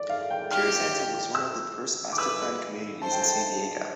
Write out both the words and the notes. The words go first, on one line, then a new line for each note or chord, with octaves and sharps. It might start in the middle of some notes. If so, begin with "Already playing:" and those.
Tierrasanta was one of the first master planned communities in San Diego.
Already playing: D5
F5
G5
G4 F6
E6
D6
B4 E6
C5 A5
G5
A5